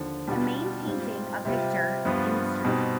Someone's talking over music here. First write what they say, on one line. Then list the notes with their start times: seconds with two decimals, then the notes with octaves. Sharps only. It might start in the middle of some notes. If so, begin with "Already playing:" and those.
A main painting a picture in the street.
Already playing: D#2 D3 F3
0.27 B2 G3 D4 F4
0.86 G#2 G3 C4 F4
1.45 C3 G3 C4 F4
2.05 G2 F3 B3 F4
2.64 B2 G3 C4 D#4